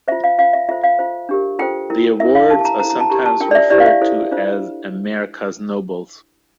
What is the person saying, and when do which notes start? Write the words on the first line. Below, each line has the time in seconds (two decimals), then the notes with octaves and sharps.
The awards are sometimes referred to as "America's Nobels".
0.08 F4 C5 E5
0.24 F5
0.38 F4 C5 F5
0.53 E5
0.69 F4 A4 C5 E5
0.83 F5
0.99 F4 C5
1.29 D4 G4 A#4
1.59 F4 A4 C5 G5
1.90 E4 A#4
2.20 E4 A#4 E5
2.35 F5
2.50 D4 G4 A#4 A5
2.61 A5
2.65 A#5
2.80 E4 A4 C5 A#5
2.90 A#5
3.00 A5
3.10 D4 G4 A#4 A#5
3.26 A5
3.40 D4 F4 A#4 G5
3.51 D5
3.55 E5
3.70 E4 G4 C5 D5
3.80 F5
3.86 E5
4.01 E4 A4 C5
4.31 D4 F4 C5